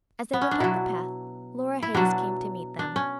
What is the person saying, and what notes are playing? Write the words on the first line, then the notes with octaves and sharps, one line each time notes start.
As they went up the path Flora Hayes came to meet them.
B3
C#4
D4
B2 F#3 E4
E4
B2 F#3 D4
D4
C#4